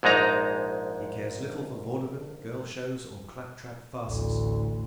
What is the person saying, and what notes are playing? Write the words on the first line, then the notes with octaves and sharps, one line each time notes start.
He cares little for vaudeville, girl-shows, or clap-trap farces.
A#1 G#2 G#3 D#4 A#5
A1 D2